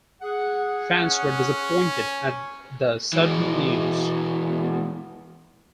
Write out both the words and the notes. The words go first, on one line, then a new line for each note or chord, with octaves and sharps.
Fans were disappointed at the sudden news.
G#4 F#5
C#4
E3 G#3